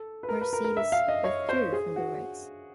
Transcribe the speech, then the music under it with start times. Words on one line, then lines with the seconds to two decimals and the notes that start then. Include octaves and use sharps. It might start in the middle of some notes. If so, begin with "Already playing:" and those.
Mercedes withdrew from the race.
Already playing: A4
0.23 B4
0.29 A#4
0.41 B4
0.53 A#4
0.64 A#4
0.77 E5
0.92 F5
1.08 D#5
1.24 C#5
1.49 C5
1.73 G#4
1.96 F#4